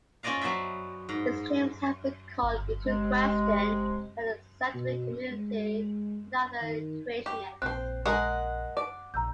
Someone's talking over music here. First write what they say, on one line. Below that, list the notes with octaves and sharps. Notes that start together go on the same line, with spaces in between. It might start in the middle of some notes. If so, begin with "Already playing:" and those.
His claims have been called into question by the scientific community and other creationists.
C#4 F4 C5 D5 D#5 F5
F#3 B3 C5 D5 E5
G#2
G1
C3 G#3
B2
G#3
D#3
G4
A#1 C4 C5 F#6
G#3 G#4 A#4 F#5
D5
A#1 A#5 E6 G6